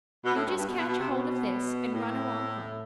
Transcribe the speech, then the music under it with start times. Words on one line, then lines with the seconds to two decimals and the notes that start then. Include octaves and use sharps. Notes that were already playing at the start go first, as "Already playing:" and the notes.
You just catch hold of this and run along home.
0.24 B2
0.35 A2
0.46 G2
0.56 G2
0.67 B2
0.77 B2
0.88 B2
0.98 C3
1.09 B2
1.93 A2